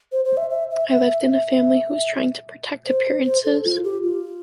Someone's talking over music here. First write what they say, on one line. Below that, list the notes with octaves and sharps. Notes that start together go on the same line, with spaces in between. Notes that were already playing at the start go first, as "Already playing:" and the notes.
I lived in a family who was trying to protect appearances.
C5
C5
E5
E5
E5
E5
E5
C5
C5
A4
F4
G4
F4